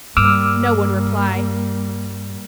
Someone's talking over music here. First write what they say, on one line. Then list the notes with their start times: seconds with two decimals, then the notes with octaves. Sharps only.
No one replied.
0.17 G2 G3 A#3 D6 E6 F6